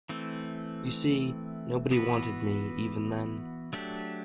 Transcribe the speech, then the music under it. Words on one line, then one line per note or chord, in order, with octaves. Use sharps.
You see, nobody wanted me even then.
E3 A3 C4
E3 B3 F#4 B4
F#3 A3 D4 G4